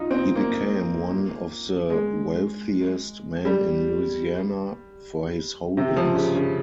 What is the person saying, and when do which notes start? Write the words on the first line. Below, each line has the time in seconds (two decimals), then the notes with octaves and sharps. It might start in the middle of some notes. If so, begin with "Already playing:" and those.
He became one of the wealthiest men in Louisiana for his holdings.
Already playing: D#4 F4
0.11 C4
0.35 A#3
1.90 G#3
3.45 G3
5.77 C3
5.96 F3
6.15 C#3
6.35 C#3